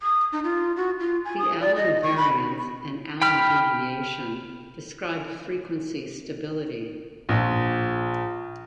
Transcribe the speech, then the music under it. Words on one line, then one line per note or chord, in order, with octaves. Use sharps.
The Allan variance and Allan deviation describe frequency stability.
D#6
D#4
F4
F#4
F4
G#5
D#6
D5
D#5
C#6
B5
G5 B5 F6
A#1